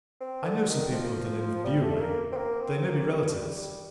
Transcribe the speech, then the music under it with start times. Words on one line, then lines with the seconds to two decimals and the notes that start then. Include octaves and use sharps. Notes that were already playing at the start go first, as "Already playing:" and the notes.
"I know some people of the name of Bewery--they may be relatives."
0.21 C4
0.45 D3
0.69 D#3
0.88 D#3
0.92 F3
1.65 G3
1.83 A3
1.96 A3
2.01 A#3
2.32 C4
2.37 A#3
2.61 C4
2.85 A#3
3.09 G3
3.29 A3
3.33 G3
3.57 G3